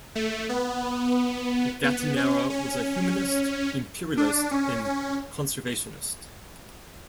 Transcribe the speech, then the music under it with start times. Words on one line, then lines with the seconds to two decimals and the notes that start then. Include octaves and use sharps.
Gattinara was a humanist, imperialist, and conservationist.
0.15 A3
0.49 B3
1.83 B3
2.17 C#4
2.50 C#4
4.17 D4
4.51 C#4
4.85 C#4